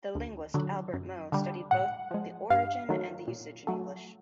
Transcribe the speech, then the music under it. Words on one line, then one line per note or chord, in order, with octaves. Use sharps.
The linguist Albert Moe studied both the origin and the usage in English.
D2
D3 F#3
F#2
D3 G3
A2 F#5
F3 G#3
G2 F5
D#3 F#3 A3
A#2
F#3 A3